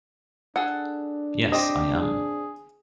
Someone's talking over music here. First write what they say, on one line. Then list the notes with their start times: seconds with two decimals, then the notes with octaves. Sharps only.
Yes, I am.
0.56 D4 G#4 A4 F#5
1.52 C4 G4 D#5
2.01 G#4